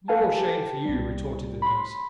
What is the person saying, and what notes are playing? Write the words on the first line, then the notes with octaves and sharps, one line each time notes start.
'More shame for you,' retorted the nurse.
A4 B4 F5 F#5 G#5 A5
G4 A5
C2 G3
B5 C6